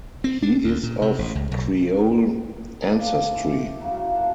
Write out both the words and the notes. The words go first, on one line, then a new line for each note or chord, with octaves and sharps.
He is of Creole ancestry.
C4
D4
D2
A#2
C3
A1
C#2
B1
D4 F4 G4 B4
G#3 E4
G4 D5
C#3 F#3
A2 F4
B2 A#3 F#5 A5